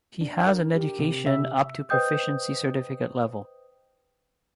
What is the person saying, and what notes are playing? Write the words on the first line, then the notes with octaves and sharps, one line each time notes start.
He has an education up to proficiency certificate level.
D4
A#4
G4
C3
E5
B4 C5 D#5 G5 D#6 G6